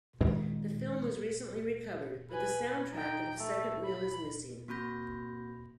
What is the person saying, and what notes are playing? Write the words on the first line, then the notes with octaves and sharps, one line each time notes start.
The film was recently recovered, but the soundtrack of the second reel is missing.
A#2 D#3 G#3 C4
B4 G#5
D#4 G5
A3
B5
A#3 C4 F#4 B5 G6 A#6